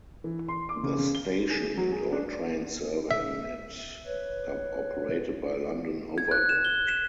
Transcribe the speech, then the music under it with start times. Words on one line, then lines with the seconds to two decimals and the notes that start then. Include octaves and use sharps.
The station and all trains serving it are operated by London Overground.
0.24 E3
0.48 C6
0.69 D6
0.83 C#3
0.99 C#3
1.15 G7
1.50 G#4
1.77 F#3
1.92 G#4
2.13 D4
3.11 E5
4.06 B4 C#5
6.18 G#6
6.31 F#6
6.49 E7
6.65 G7
6.88 E7